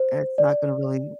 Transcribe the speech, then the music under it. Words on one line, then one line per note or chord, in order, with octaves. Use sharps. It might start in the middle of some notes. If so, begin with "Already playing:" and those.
that's not gonna really m
Already playing: C5
D5